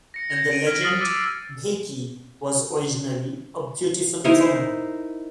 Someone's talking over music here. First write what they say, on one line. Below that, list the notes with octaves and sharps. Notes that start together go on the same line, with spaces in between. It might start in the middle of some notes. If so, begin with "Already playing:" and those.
In the legend, Bheki was originally a beautiful woman.
A#6 C#7
G6 G#6 A#6
D7 D#7
F6 G#6 B6 D7
D#6 F6 A6 A#6 C7 F#7
D6 E6 A6 B6 D#7
D#4 E4 A#4 C5